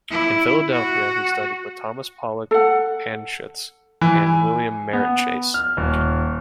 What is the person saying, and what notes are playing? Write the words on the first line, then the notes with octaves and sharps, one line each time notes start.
In Philadelphia he studied with Thomas Pollock Anshutz and William Merritt Chase.
E4
F#4
A4 F#5
E3
G#5
B3
F6
D#1